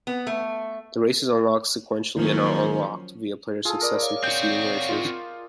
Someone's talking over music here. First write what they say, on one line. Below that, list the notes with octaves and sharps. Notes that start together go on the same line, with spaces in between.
The races unlock sequentially and are unlocked via player success in preceding races.
B3
A3
D#3 F3 F#3 A#3 C#4
F4 G#4 A4
A#4 D5 D#5
C#5 F5
C4 F#4 G6
F4